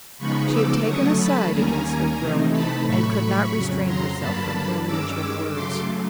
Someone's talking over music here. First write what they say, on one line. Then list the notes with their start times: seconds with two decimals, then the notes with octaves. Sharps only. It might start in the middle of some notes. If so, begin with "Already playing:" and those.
She had taken a side against Luke Rowan, and could not restrain herself from ill-natured words.
0.18 C#3 F3 G#3 B3 D#4 B5 C#6
0.51 D6 E6
0.84 D3 F#3 A3 C#4 C#6 D#6
1.18 A5 B5
1.51 D#2 D#3 G3 A#3 C#4 G#5 A#5
2.18 C3 E3 A3 C4 D#4
2.51 A5 B5
2.85 A2 F#3 A3 B5 C#6
3.52 F2 C#3 F#3
3.85 A#5 C6
4.18 G2 D3 F#3 A#3 A5 B5
4.86 G2 D#3 G#3 C#4 D6 E6
5.52 C#3 F#3 A3 C6 D6